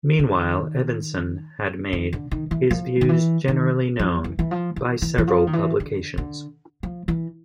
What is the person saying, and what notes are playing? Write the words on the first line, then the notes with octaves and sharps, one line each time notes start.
Meanwhile, Evanson had made his views generally known by several publications.
D#3
D#3
D3
D#3
E3
F3
D#3
E3
D#3
F3
E3
E3
F3
E3
E3
E3
F3
D#3
E3
D3
D3
F3
E3